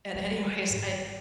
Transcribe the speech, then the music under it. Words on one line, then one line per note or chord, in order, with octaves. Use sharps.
and anyways, I
G3 G#3
G#1 G2